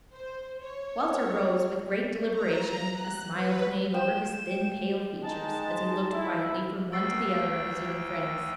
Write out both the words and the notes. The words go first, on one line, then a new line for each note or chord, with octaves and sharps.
Walter rose with great deliberation, a smile playing over his thin, pale features, as he looked quietly from one to the other of his young friends.
C5
C#5
A#5
F#6
B4
G5 E7
G#3 D#4 A5
E4
D2 G5 E6 A6 C7